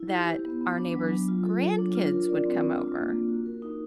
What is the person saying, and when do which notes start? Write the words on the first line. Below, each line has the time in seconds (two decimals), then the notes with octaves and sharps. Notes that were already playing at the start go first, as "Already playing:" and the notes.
that our neighbors' grandkids would come over.
Already playing: E4
0.11 G4
0.27 C5
0.45 B3
0.61 B3
0.78 D4
0.95 F#3
1.11 F#3
1.28 F4
1.45 A4
1.62 C#5
1.78 D4
1.95 F4
2.11 A#4
2.29 D5
2.45 C4
2.62 D4
2.79 F4
2.95 A#3
3.12 A#3
3.29 F#4
3.46 A#4
3.62 D#4